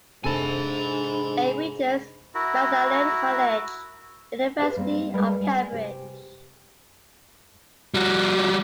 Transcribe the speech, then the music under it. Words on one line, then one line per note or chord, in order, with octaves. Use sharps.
A. Richards, Magdalene College, University of Cambridge.
G#2 C3 D4 A4 G#5 B5 A6
E4 F#4 A#4
G4 A4 B4 C5 D5 F5
A2 G3 A#3 C4
G3 G#3 A#4 B4
G3 G#5
C3 G4
G3 F#4